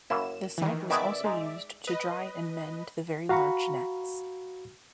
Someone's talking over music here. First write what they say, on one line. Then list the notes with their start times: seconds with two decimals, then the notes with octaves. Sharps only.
The site was also used to dry and mend the very large nets.
0.10 F#2 A#3 E4 E7
0.58 D#3 E3
0.90 D#3 B3 G#4 D5 E5 D6
1.24 G#3 D#4
1.87 B4 D#5
3.29 F#4 F5 A#5 B5 C#6